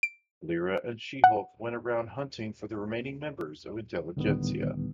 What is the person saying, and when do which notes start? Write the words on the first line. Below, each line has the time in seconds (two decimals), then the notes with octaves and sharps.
Lyra and She-Hulk went around hunting for the remaining members of Intelligencia.
0.03 D7
1.24 F#5
4.17 C#2 A2 D3 D#3 G3 B3